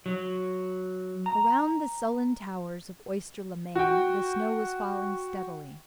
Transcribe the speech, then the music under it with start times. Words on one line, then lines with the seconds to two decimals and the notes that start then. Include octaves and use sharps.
Around the sullen towers of Oyster-le-Main the snow was falling steadily.
0.06 F#3
1.26 A#5
3.75 F#4 G5